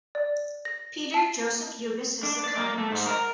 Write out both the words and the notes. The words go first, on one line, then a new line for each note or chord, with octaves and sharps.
Peter Joseph Jugis is the current bishop.
D5
A#6
A5
D4
D5
A#3
A3
G#2
A#4